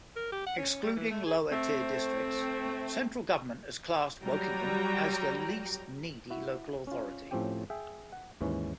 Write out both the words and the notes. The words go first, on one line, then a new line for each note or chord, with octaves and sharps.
Excluding lower-tier districts, Central Government has classified Wokingham as the least needy Local Authority.
A#4
G4
F#5
C#4
C#4
G3
E3
A3
G#4
A3 C4
F#3 G3 G5 A#5
E4 F#4 E5
C#4 F4
A2 F3 C4 C#4 G4 G5
G#4 E5 G5
F#5
D#2 G#2 E3 C#4